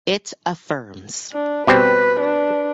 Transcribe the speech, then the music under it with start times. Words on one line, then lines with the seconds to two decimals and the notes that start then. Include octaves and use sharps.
It affirms.
1.32 D4
1.67 B2 G3 C4 B4
2.20 D4